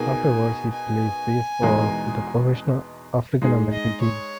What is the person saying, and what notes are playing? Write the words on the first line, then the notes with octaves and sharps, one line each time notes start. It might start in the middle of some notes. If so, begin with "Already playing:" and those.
Afterward, he plays baseball with a professional African-American team.
Already playing: B2 A#3 D#4 G#4 G#5
G#5
E2 B2 G#3 D#4 A#4
G#3 D#4 G#4
D#5
C#5